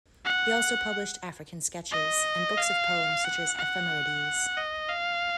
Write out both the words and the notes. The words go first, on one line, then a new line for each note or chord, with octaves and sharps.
He also published "African Sketches" and books of poems, such as "Ephemerides".
F#5
D#5
F5
F#5
F#5
D#5
F5